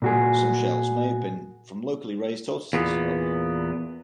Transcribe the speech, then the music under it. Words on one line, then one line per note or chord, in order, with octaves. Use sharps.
Some shells may have been from locally raised tortoises, however.
A#2 F#4 G#4
E2 A#2 B3